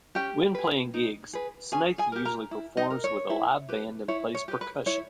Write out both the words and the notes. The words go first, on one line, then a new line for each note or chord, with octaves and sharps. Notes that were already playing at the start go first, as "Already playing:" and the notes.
When playing gigs, Snaith usually performs with a live band and plays percussion.
C#4 G4 G5
G#4 B4
D#4
G#4 B4
C#4 G#4 G#5
G#4 G#5
G4 A#4
A#4 A#5
E4
D#4 D#5
A#4
C#5
E4
G4 B4
E4 C#5
C#5
G4 B4
B4
E4 C#5